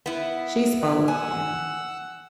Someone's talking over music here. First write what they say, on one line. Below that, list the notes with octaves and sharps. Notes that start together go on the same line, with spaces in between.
she spoke and
B3 E4
E4 B4
F#5 G#5 E6